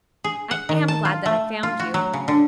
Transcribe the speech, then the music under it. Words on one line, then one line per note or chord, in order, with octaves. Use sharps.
I am glad that I found you.
G#4
F#5
D#3
A5
F4
A3
F4
F#4
F#3
C#3
D3